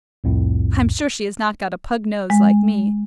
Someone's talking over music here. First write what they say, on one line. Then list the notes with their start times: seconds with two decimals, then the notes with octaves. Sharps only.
I'm sure she has not got a pug-nose like me.
0.24 C2 F2 A2
2.30 G#3